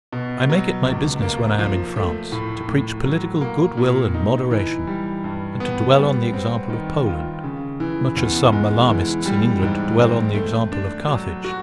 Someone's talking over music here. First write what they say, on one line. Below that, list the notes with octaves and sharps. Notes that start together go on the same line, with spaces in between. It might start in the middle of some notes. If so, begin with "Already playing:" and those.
I make it my business, when I am in France, to preach political good-will and moderation, and to dwell on the example of Poland, much as some alarmists in England dwell on the example of Carthage.
B2
F#3
C#2
A#3
F3
A3
A2
A2
F#3
A#3
A#2
D#4
E3
G3
G2
B3
G3
C4
D#3
F4
C#3
E3
E2
G#3
E3
G3
G#2
C4
A3
D4
F#3
F#4